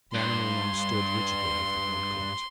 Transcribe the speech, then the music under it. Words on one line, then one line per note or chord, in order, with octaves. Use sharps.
The animal now stood rigidly over the blood clot.
G2 C6